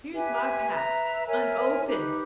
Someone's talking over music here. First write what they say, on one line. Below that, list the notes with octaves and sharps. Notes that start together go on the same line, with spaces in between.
"Here's my pack unopened!"
G4 B4 E5 G#5
B4 E5 A#5
A#4 C#5 E5 G#5
D#4 G4 B4